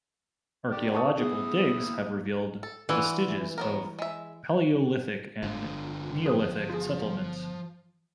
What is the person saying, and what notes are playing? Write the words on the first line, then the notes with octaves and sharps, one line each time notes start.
Archaeological digs have revealed vestiges of palaeolithic and Neolithic settlements.
D#3 G4 D5
A5 C#6 D#6
B3 E4 G#4 D#6
A#3
A4
E3 D4 F4 F#4
F#3 B3 A#4
G#3 E5
G1 D3 F4
F3 G#4 D#6
F4 G#4